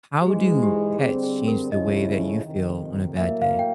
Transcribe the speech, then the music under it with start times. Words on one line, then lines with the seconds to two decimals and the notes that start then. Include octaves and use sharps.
how do pets change the way that you feel on a bad day?
0.22 G4
0.26 G#2 E3 G#3 G#4
0.63 G4
0.99 D3 G3 C4 G#4
1.23 G#4
1.48 A#4
1.71 C#3 F3 A3 C#4 E4 D#5
2.44 F2 C3 D#3
3.17 A2 F#3 A#3 E5
3.42 F5
3.59 G5